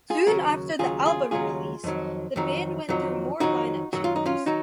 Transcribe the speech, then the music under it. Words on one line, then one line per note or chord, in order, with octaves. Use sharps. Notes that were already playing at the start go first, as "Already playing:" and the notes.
Soon after the album release, the band went through more lineup changes.
F4 G#4
D#2 C#3 F#3 F#4 A#4
D#2 C#3 F#3 F4 G#4
F4 G#4
D#2 C#3 F#3 F4 G#4
F2 D#3 F#3
F2 D#3 F#3
F2 D#3 F#3
F2 D#3 F#3 D#4 F#4
F#2 D#3 F#3 F#4
F4
D#4
C#4 F4
D#3 F#3 D#4 F#4